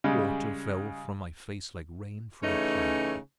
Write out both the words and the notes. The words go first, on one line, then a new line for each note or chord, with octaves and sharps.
Water fell from my face like rain from a cloud.
C#3 G3 G#3
C#3 E3 A3 C#4 D#4